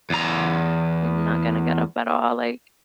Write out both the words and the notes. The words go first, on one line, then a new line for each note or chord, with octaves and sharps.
I'm not gonna get up at all, like,
E2 A#5